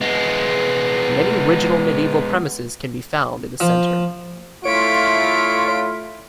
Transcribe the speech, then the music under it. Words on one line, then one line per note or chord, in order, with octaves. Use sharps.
Many original medieval premises can be found in the centre.
G#3 B3
F3
A3 E4 F4 C#5 B6 D7